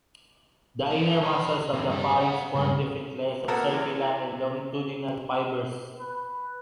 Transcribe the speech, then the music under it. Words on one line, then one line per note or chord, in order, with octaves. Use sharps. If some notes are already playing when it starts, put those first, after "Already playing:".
The inner muscles of the pharynx form different layers of circular and longitudinal fibers.
E3 A5
C#5 B5
D#2 C3
G2 G3
C5 F#5
C#2 G2
A#3 B3 F#4 A4 A#4
C3 E3
B4